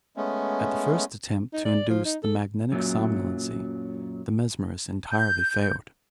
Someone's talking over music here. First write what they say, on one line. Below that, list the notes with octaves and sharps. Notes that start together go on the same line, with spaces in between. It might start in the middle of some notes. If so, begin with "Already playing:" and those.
At the first attempt to induce the magnetic somnolency, the mesmerist entirely failed.
G#3 A3 B3 C#4
D#4
D5
F3
D#4
A4
F#2 A#2 F#3
G6